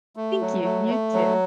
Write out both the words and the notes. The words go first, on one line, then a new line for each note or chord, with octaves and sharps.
Thank you, and you too.
A3
F#3
A3
A3
F#3